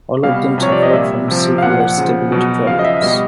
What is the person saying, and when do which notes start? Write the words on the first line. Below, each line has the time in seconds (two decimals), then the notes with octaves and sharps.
All of them suffered from severe stability problems.
0.23 B2 G3 F5
0.58 C3 F3 C#5
0.72 D5
0.83 D#5
0.93 A#2 G3 E5
1.28 C3 F3
1.58 F5
1.63 A#2 F3 F#5
1.80 F#5
1.98 C#3 F3
2.32 B2 F#3
2.67 C#3 F3 F5
2.79 D#5
2.84 E5
3.02 B2 G3 D#5